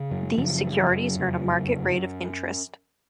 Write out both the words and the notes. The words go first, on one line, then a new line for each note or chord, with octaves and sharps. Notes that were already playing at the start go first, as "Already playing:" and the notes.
These securities earn a market rate of interest.
Already playing: C#3
F#2 F#3
F#2 C#3 F3
F3
F#3
F3
F#2 F#3
F2 C#3